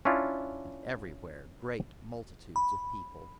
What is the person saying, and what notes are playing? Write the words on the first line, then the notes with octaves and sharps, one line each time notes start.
And everywhere great multitudes of people.
C#4 D4 E4 F4
B5